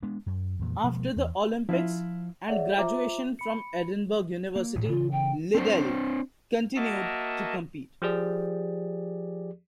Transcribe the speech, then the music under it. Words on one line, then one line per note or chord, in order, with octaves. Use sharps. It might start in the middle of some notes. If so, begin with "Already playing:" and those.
After the Olympics and graduation from Edinburgh University, Liddell continued to compete.
G#3 B3 D4
F#2
F2 A#2 E3
B2 F3 G#3 A#3
E2
F3 E4 F4 E5
G#4 C#5 D5 E5 F#5
F4 C5 E5 A#5 D6
B5 C#7
A#3
A1 D2 A2
C#3 E3 F4
G5
C4 D4 C5
A#3 F#4 A#4 D#5 E5 A5
F3 G4 G#4 D5